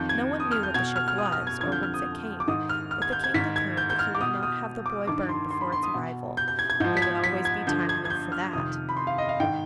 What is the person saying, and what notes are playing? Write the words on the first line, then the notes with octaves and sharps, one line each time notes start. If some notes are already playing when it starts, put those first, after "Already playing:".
No one knew what the ship was, or whence it came; but the king declared that he would not have the boy burned before its arrival, there would always be time enough for that.
Already playing: F2 D#3 G6
G#6
D#6
F6
G6
B2 G#6
F6
F6
D#6
F6
G#6
F2 D3 F3 G#6
G6
F6
D#6
D6
G#2 D#3 D#6
F6
F6
G#6
G6
G#6
G#2 D#3 B6
G#6
G6
G6
F6
D6
B2 D#6
D#6
D6
G2 D#3 D6
C6
C6
B5
C6
D#6
B2
G6
G6
G#6
G#6
G#2 F3 G6
B6
G#6
B6
G#6
G2 D3 F3 G6
G#6
G#6
G6
F6
F2 C3 D#3 D#6
B5
C6
F5
D#5
F5
G#2 D#3 G5